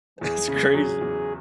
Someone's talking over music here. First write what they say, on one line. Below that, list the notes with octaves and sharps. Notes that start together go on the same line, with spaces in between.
That's crazy.
E2 G#4
C#3
F#3
E2